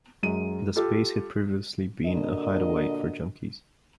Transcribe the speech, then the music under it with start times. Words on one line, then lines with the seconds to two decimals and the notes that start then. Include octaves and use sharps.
The space had previously been a hideaway for junkies.
0.23 F#2 F#3 G#3 D#7
0.76 F4 G4 A4
2.06 A#2 D3 D4 F#4 A#4 D#5